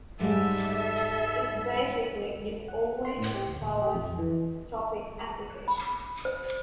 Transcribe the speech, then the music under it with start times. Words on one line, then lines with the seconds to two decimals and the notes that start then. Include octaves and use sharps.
It basically is always about the topic application.
0.19 G#2 G3 G#3 A4 E5
2.68 F#5
3.05 C6
3.18 A2
3.34 G4
3.48 D2
3.61 A#1
3.82 G4
3.95 F2
4.18 E3
5.68 B5
6.25 C5